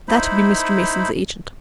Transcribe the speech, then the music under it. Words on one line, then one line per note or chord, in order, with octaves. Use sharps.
That be Mr. Mason's agent.
D#4 E4 C5 B5